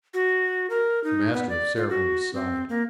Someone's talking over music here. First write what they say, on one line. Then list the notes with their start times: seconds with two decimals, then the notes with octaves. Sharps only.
The Master of Ceremonies sighed.
0.14 F#4
0.70 A#4
1.04 D#4
1.33 B3
1.49 D5
1.76 F4
1.89 F#4
2.34 C4
2.69 A#3